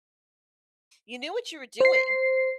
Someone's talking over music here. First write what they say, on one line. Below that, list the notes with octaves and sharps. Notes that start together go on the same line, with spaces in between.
you knew what you were doing.
C5 C7